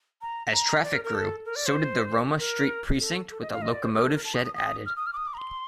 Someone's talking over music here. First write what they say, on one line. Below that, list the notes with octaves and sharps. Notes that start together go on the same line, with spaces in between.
As traffic grew, so did the Roma Street precinct with a locomotive shed added.
A#5
A#5
D5
A#4
A#4
A4
A#4
D5
C5
A#4
A4
A4
D#5
F5
D#5
D5
C5
A#4
A4
A#4
A5
D#6
D#6
D#6
F6
D#6
F6
D6
D#6
D6
A#5
C6